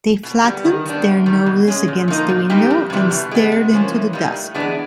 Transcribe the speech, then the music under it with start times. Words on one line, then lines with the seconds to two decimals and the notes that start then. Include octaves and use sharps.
They flattened their noses against the window, and stared into the dusk.
0.23 B2
0.44 G3 B3
0.65 D#3
0.85 G3 B3 D4
1.06 F#2
1.26 D#3 G3
1.46 B2
1.68 G#3 C#4
1.88 A#2
2.08 F3 A#3 D#4
2.29 A#2
2.50 G3 A#3 D#4 G4
2.70 F2
2.90 C3 E3 G3
3.11 B2
3.31 G#3 B3
3.52 C3
3.73 F3 A#3 C#4
3.93 E3
4.13 G3 A#3 D#4
4.34 A2
4.54 E3 G#3 B3 D4